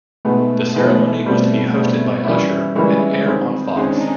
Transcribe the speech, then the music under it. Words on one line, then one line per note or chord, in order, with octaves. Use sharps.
The ceremony was to be hosted by Usher and air on Fox.
B2 G#3 A3 B3 D#4
B2 G#3 A3 B3 D#4
B2 G3 C4
B2 G3 C4
E3 G3 A#3 C#4 E4
E3 G3 G#3 A#3 C#4 E4
D#3 G#3 C4
D#3 G#3 C4 C#4
D4
D#4